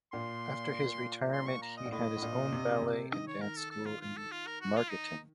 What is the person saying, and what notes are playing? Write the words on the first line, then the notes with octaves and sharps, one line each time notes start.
After his retirement he had his own ballet and dance school in Margareten.
A#2 C6
C6
C#6
A#5
D#5
A#2
A2 D#5
A2
A#2
C3
C#3
C3
D#3 D#5
C#5
A#4
A4
A4
F4
F4
A4
F4
A#4
F#4
F4
D#4